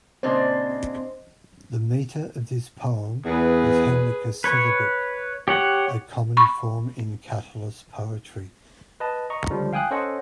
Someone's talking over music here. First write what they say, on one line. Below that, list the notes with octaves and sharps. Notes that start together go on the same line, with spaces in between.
The meter of this poem is hendecasyllabic, a common form in Catullus's poetry.
A#2 C#3 C4 D4 C5 D#5
E2 G#4 B4
B4 C#5
G4 C#5 F#5
B5 C#6
B4 D#5 A5
D#5 A#5 C#6
C#2 D3 F3 G3
F5 G5 G#5 D#6 F#6
C#4 A4 C5 C#5 D#5 F#5